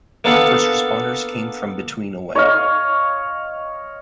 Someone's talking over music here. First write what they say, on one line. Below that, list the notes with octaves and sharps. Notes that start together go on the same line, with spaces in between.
First responders came from between away.
A#3 B3 D4 A4 F5 F#5
C#5 D#5 F5